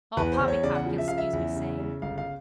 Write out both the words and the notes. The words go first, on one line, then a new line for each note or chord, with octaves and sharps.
All poppycock, you'll scuse me saying.
E2 B4
C5
E2
C#5
C#3 D5
F#5
F3
E5
C#3 F5
E5
E2
C#3
C#3
G1 F5
F5